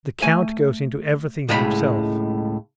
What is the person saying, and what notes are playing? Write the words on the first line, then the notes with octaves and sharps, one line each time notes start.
The count goes into everything himself.
A3 G#5
C#2 A2 G#3 G5 G#5 B5